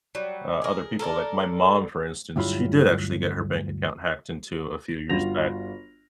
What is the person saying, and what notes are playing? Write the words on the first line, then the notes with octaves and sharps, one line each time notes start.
uh, other people like my mom, for instance, she did actually get her bank account hacked into a few years back.
F#3 G3
G#4 A#4
A4 A#4 C#5 D5
D2 G2 F#3 E4 F4 B5
G1 F4 F#4 A#6 F7